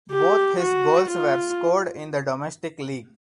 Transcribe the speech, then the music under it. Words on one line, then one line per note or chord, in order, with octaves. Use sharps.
Both his goals were scored in the domestic league.
G4
F#4
F4